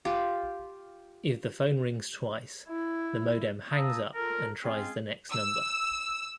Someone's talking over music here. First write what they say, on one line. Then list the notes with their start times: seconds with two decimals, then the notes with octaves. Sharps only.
If the phone rings twice, the modem hangs up and tries the next number.
0.05 F4 G4
2.68 E4
3.70 F5 A5 A#5 D#6 E6
4.14 F4 A4 A#4
4.63 G#3 C4 C#4 F4 G#4
5.31 E6